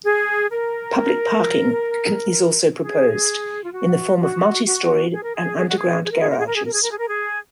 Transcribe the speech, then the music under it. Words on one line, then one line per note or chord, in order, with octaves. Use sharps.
Public parking is also proposed in the form of multi-storied and underground garages.
G#4
A#4
G#4
F4
F#4
F#4
F#4
G#4
A#4
G#4
G#4
F#4
G#4
G#4
A#4
G#4
A#4
G#4
A#4
G#4
A#4
G#4
A#4
G#4
A#4
G#4